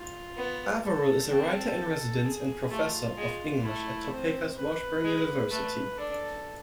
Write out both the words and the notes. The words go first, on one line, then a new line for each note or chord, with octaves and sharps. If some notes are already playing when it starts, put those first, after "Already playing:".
Averill is a writer-in-residence and professor of English at Topeka's Washburn University.
Already playing: F4
B3
A4
C4 A4
G#4
A3 F4
G#3
A3 E4
C4
B4
G#3
A3 B4
D4 A4